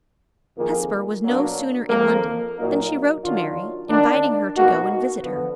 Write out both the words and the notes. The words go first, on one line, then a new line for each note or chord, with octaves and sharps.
Hesper was no sooner in London, than she wrote to Mary, inviting her to go and visit her.
F2 D#3 A#3 F4 G#4
B2 F#3 A#3 D4
F2 F3 A#3
A#2 F#3 A#3 D#4 A#4
D#3 F#3 D4 F4
D#3 A#3 D4
B2 A#3 D#4 F#4
D3 F3 B3